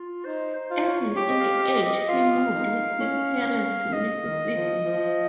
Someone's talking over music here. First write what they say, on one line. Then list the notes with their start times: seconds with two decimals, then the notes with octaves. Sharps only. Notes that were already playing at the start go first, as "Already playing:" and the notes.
At an early age he moved with his parents to Mississippi.
Already playing: F4
0.25 D#4 C5
0.55 C5
0.71 F4
0.87 C#5
1.16 G4
1.28 D#5
1.40 F5
1.58 F5
1.63 D#5
1.86 D#5
2.08 F4 F5
2.54 D#4
3.00 C#4
3.93 D#5
4.23 D#3
4.53 F3
4.84 F3